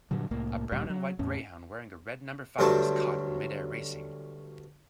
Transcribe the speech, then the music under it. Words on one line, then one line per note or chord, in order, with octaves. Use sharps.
A brown and white greyhound wearing a red number five is caught in midair racing.
G2 A#2 D3 F#3
C2 A2 A#3
D1 D2 A#2 G3
F#3
E2 A2 C#4
D2 G2 F#3 C5 A5 C#6